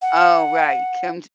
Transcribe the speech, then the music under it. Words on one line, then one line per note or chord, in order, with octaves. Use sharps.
Oh, right. Come t
F#5